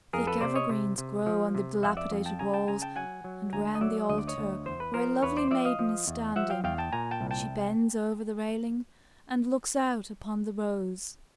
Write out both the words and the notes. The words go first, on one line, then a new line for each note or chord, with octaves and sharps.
Thick evergreens grow on the dilapidated walls, and around the altar, where a lovely maiden is standing: she bends over the railing and looks out upon the rose.
F2 G#4 A#4
A4 B4
C3 C5 D5
C#5 D#5
C3
C3
F3
C3
F2 E5 F#5
D5 E5
F2
G5 A5
C#3 G#5 A#5
G5 A5
C#3 G#5 A#5
G5 A5
F#3 F#5 G#5
F#3
D2 G#5 A#5
D#5
F#3 D5 E5
D2 D#5
D5
C#5 D#5
D2
E2 C5
B4
F3 A#4 C5
E2 B4 C#5
C5 D5
F3 D5 E5
D#5 F5
F3
E2
F3 E5 F#5
F5 G5
E2 F5 G5
G5 A5
A#2 G#5 A#5
G5 A5
C2
G5 A5